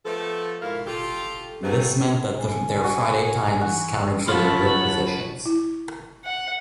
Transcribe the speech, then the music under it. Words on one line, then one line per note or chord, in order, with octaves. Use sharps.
This meant that their Friday times counted for their grid positions.
F3 A3 B3 A4
G#2 E4 F4 A#4 F5
F4 G4 A4
F#3 G3 A3 B3 C4 G#4
G#5
F#4
E3 F#5
F#2 F4 C#5 F#5 A5 B5
E4
F#5